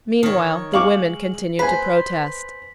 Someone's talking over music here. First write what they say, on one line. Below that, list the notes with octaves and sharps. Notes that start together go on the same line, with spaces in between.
Meanwhile the women continued to protest.
D#3 C#5
G#3 F5 C#6 D6 F#7
B4 C5 G#5 B6